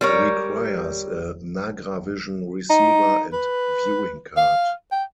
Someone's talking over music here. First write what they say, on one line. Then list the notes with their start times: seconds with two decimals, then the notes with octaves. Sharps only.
Requires a Nagravision receiver and viewing card.
0.01 G3 A#4 C#5
2.70 D#4
3.33 B4
4.37 F5
4.92 G5